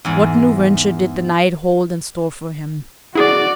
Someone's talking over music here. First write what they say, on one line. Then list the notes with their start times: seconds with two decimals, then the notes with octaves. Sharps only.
What new venture did the night hold in store for him?
0.05 E2 G#2
3.15 E4 F#4 G#4 D5